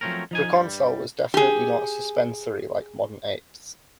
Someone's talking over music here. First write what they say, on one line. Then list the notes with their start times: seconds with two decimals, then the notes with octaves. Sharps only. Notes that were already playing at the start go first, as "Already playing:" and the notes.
"Proconsul" was definitely not suspensory like modern apes.
0.01 F3 F#3 A3 C4 C#4 A#4
0.31 F3 D#4 G#5
0.54 G2 G3
1.34 G4 G#4